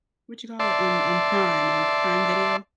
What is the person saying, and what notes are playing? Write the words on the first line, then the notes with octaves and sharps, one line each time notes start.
what you call it? On on Prime on Prime Video.
D5 E5 A5 C6